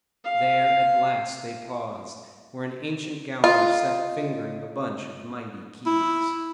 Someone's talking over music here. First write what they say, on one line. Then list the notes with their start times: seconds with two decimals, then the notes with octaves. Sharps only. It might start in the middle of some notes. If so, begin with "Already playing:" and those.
There at last they paused, where an ancient gaoler sat fingering a bunch of mighty keys.
0.24 F5
3.44 F4 D#5
5.86 E4